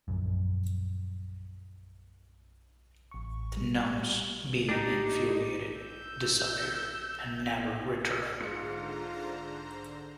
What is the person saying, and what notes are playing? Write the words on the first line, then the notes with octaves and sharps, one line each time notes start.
The gnomes, being infuriated, disappeared and never returned.
A#1 F#2
A1 C#6
G3
D4 D#4 G4 C7
E6 G6
G#2 D3 F4 C5 A#5 C#7